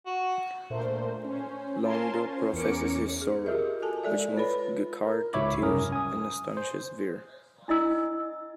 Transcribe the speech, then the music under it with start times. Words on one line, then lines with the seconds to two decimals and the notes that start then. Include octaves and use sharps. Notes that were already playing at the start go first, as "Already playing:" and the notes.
Londo professes his sorrow, which moves G'Kar to tears and astonishes Vir.
0.06 F#4
0.70 A#2 A3 D4 A#4 C5
1.25 C#4 C5
1.84 C#4 F4 A#4 G#5 A5 C6
2.21 C#4 C5
2.53 E2 B3 C#4 A#4 D6 C#7
3.22 G#4
3.46 F4 G4 G#4 A#4 D#5 E5
3.82 F#4 A4 G#5 A5
4.03 G#3 A4 D5 E5
4.36 F4 B4 C#5 B5
5.06 A#4
5.34 C#2 G#2 C#5 E5 B5 D6
5.62 C2 F#2 C#4 A#4 D#6
5.92 G#5 D#6
6.57 C5
7.68 D4 E4 D#5 E6